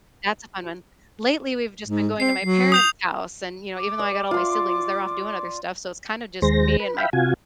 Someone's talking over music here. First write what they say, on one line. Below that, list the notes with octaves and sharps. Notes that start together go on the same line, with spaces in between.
that's a fun one. Lately, we've just been going to my parents' house and, you know, even though I got all my siblings, they're off doing other stuff so, it's kind of just me and my,
G#2
C4 C7
F#3
D#6 G6 F7
D6
D5
F4 C6
D#2 G#3 C5 A#6
B4
E5 F5 G5 B5
C3 F4 F#4 G#5